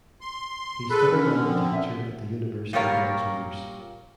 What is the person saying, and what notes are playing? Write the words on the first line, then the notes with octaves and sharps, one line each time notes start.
He studied architecture at the University of Algiers.
C6
G#4 A4 B4 B5
D3 C#4 A#4
F3 C4
C#4 E5
A#2 G3 F4 A#4 C#5 F5